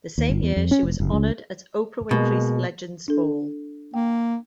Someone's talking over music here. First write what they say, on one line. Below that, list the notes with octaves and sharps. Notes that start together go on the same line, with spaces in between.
The same year she was honored at Oprah Winfrey's Legends Ball.
D#2
G1
E2
F2
C#4
F1
F#1
C#2
B2 G#3 A#3
D4 A4
A#3 G5